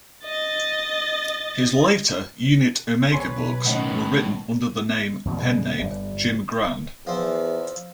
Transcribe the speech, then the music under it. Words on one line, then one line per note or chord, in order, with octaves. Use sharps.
His later "Unit Omega" books were written under the name pen name Jim Grand.
D#5 A6
B1 B4 C#5 G#5 C6
A2 D#3 C#4 D#5 F#5
E2 B2 F3 A3
A#2 C#3 G3 G#3
G1 G3
E2 F3 C4